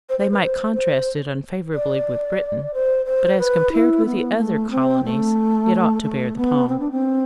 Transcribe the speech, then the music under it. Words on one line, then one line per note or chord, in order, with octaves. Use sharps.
They might contrast it unfavourably with Britain, but as compared with the other colonies, it ought to bear the palm.
C5
C5
B4
C5
C5
D5
C5
C5
B4
E4
B3
A3
C4
A3
A3
B3
C4
D4
C4